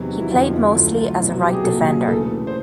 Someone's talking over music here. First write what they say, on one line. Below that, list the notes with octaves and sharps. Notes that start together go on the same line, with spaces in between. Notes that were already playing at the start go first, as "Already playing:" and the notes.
He played mostly as a right defender.
Already playing: E2 C3 D#3 F#3
F#4
E4
F2 D3 F3 F4
E4
D2 D3 F#3 F4
F4
C2 B2 F#3 E4
F#4
G4
G#4
C2 A#2 F#3 A4
G#4
D2 C#3 E3 A4
C5